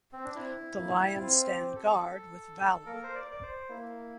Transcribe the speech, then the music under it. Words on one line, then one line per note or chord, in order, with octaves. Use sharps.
The lions stand guard with valor!
C4
D4
C4 E4
A#3
C4 F4
G4
A4
A#3 A#4
C5
D5
D5
C5
A#3 E4